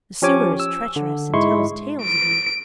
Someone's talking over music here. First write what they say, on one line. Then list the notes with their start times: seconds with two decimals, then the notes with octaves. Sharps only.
The sewer is treacherous and tells tales of you.
0.22 F3 C#4 G4 C#5 G#5 D6
0.60 E6
0.96 D3
1.34 G#2 G#3 E4 C6 C#6
2.02 D7